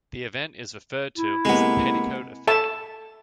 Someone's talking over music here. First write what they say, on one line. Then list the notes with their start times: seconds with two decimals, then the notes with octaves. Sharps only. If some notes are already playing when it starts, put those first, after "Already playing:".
The event is referred to as the Petticoat affair.
1.18 E4
1.45 C3 G#3 A#3 B3
2.47 A4 E5 A5